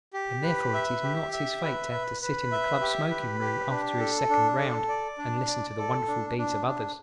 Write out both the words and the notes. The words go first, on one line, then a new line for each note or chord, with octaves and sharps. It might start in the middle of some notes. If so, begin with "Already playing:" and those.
And therefore it is not his fate to have to sit in the club smoking- room after his second round and listen to the wonderful deeds of others.
G4
B4
E5
G4
E5
B4
B4
B4
E5
G4
B4
G4
D4
A4
D4
A4
D5
D4
D5
A4
D4
D4
D4